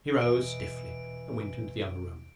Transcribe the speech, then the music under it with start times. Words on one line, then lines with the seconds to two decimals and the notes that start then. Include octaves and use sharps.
He rose stiffly and went into the other room.
0.21 E2 B2 E3 D#5 D7